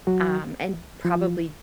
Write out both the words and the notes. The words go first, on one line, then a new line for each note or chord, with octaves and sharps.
um, and probably
F#3 F#4
F3 F4